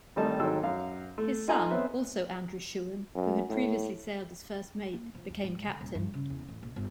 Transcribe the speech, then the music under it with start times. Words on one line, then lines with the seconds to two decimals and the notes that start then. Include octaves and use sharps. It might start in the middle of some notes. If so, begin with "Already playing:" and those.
His son, also Andrew Shewan, who had previously sailed as first mate, became captain.
0.16 G#1 D#3 G3 A3 D#4 A5
0.39 D#2 G#2 F#3 A4 G5 E6
0.63 F#2 F5
1.18 A3
1.48 D#4 F4 A4 D#5 G#5 A#5
1.70 B3 C4 B4 C#5 E5
3.15 F#2
3.50 A2
4.93 A#3
5.15 F3
5.30 D#2
5.44 G#2
5.67 D3
5.81 D#1
5.95 G2
6.14 C#3
6.30 E2
6.49 A1
6.63 A#1
6.76 G1